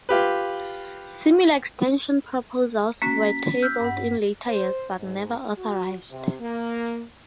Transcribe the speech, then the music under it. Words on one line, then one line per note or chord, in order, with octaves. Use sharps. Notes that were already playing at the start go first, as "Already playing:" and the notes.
Similar extension proposals were tabled in later years, but never authorised.
F4 G4 B4
A#3 C#4 F#4 B6
E6 F6 G6
G2 F#5
C5
G#2
F#4
C3
A#3